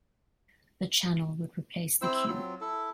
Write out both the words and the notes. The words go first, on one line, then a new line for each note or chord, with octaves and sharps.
The channel would replace the Cube.
C4 E4 C5 E6
F#3 C4 F4
E4 A4